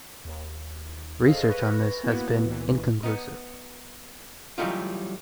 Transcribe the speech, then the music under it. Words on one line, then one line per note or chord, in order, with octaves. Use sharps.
Research on this has been inconclusive.
D#2
G#4 A4 C5 D#5 F5
B4 C#6 A#6
A#3 B3 E4 F#4 B4
C#2 A#2 E3
B3 D#4
E3 F#3 G3 A3 D#4 F4